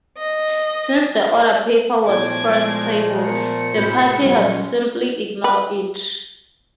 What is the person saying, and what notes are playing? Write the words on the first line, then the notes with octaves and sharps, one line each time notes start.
Since the order paper was first tabled, the party have simply ignored it.
D#5
A#2 F3 A3 B3 E4 C#5 D6 G#6
G#3
B3 A#4 C#7
A2 C3 G#3 A3 E4 F#4 G6
F#2 A#2 F3 G3 G#3 C#4 F4
B4